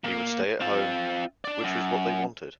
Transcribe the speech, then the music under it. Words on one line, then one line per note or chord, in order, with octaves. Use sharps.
He would stay at home, which was what they wanted.
A#2 A#3
C4 F4
D4 D5
F#2